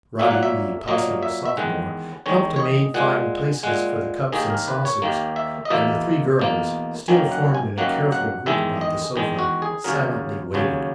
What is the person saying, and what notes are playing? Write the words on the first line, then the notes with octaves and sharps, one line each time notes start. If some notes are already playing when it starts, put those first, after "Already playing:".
Roddy, the possible sophomore, helped a maid find places for the cups and saucers; and the three girls, still formed in a careful group about the sofa, silently waited.
A#2 F#3 A#3 E5
F#5
E5
A#2 F#3 A#3 D#5
E5
E5
E2 D#3 G#3 F#5
E2 D#3 G#3 C#5
C#5
D#5
A#2 G#3 F#5
A#2 G#3 F#5
D#2 D#3 A#3 G#4
A#4
B4
C#5
D#2 D#3 A#3
E5
D#5
E2 B2 A#3 E5
E2 B2 A#3
F#2 D#3 F#3 A#3 G#5
F#5
G#5
F#2 D#3 F#3 A#3 F#5
F#5
E2 D#3 G#3 E5
D#5
E2 D#3 G#3
F#4
G#4
D#2 C#3 F#3 A#4
D#2 C#3 F#3